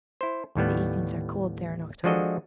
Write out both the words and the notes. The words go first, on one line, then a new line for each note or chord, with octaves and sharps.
The evenings are cold there in October.
E4 C5
D#2 A2 G3 B3
F3 G#3 D4 F#4 A4 D#5